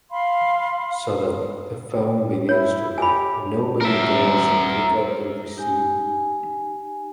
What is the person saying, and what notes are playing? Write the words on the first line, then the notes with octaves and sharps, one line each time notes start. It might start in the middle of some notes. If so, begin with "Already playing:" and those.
Suddenly, the phone begins to ring, but nobody dares to pick up the receiver.
F5 B5 C6
E4 C#5
G4 G#5 B5
A#4 E5
D#4 G4 G#5